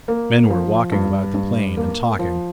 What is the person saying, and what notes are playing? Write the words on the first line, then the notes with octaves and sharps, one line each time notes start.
Men were walking about the plain and talking.
A#3
F3
G2
G2
A#3
F3